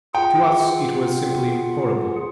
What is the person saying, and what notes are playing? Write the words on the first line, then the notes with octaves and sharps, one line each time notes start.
To us it was simply horrible.
F4 G#4 F#5 G5